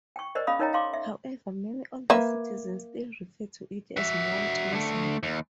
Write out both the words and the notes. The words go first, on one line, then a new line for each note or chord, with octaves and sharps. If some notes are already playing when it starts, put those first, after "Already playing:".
However, many older citizens still refer to it as Mount Misery.
G5 C#6
A#4 C5 D5 D#5
C#4 G#4 F5 B5 D#6
D#4 A#4 C#5 D#5 G5 A#5
F5 C6 D6
E5
A#3 B4 E5
F#4 E5
D3 A3
D#2